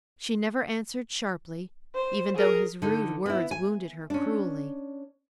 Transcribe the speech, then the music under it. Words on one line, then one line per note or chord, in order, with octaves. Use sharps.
She never answered sharply, even though his rude words wounded her cruelly.
C5
G#4 A#4
D3 D#4
B3 E4
G#5
C#4 D4